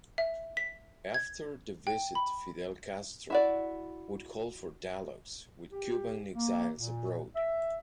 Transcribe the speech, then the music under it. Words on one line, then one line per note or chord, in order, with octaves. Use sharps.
After the visit Fidel Castro would call for dialogues with Cuban exiles abroad.
E5
B6
G#6
G5
B5
E4 F#4 D5
G4
A#3
A#2
E5